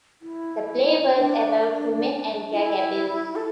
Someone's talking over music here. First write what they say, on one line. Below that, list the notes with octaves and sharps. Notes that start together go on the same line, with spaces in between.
The play was about women and drug abuse.
E4
D4
F4
E4
A4